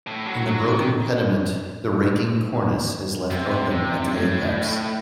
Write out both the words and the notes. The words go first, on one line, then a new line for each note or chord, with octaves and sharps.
In the broken pediment the raking cornice is left open at the apex.
A2
F#3
F#3
D#3
C3
C3
A2